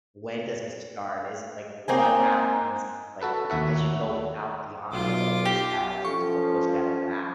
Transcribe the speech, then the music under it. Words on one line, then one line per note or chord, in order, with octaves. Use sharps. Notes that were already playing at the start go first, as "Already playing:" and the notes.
when does it start? Is, like, what happens, like, as you go out beyond all of these galaxies, what goes after that?
A#3 C4 D#4 G#5
F#4 A4 B4
D#2 F#4 E5 F#5
B1 F4 D6
G4
F3 C#4 A4 C#6